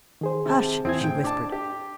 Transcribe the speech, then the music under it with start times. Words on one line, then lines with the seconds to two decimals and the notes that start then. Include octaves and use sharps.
"Hush!" she whispered.
0.21 D#3 G#4 C5
0.46 C3 A5
0.85 E2 C4 E4 G#4 G#6
1.01 A2 C5 G5
1.24 D4 A5 D6
1.52 G4